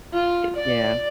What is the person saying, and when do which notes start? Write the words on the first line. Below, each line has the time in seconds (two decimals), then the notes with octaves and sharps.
Eh, yeah.
0.14 F4
0.56 D5